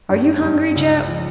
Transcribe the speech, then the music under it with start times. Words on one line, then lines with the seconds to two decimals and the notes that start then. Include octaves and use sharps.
"Are you hungry, Jap?"
0.09 G2 C#4
0.42 G2
0.75 C#2
1.07 F3